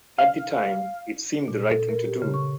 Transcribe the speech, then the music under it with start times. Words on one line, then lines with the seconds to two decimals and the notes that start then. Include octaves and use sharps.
At the time, it seemed the right thing to do.
0.19 F5
1.48 A#2
1.70 A4
1.89 A#4
2.06 G4
2.22 C#3
2.34 C#6